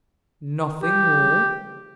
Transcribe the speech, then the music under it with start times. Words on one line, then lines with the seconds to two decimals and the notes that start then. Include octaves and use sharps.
"Nothing more?"
0.82 G4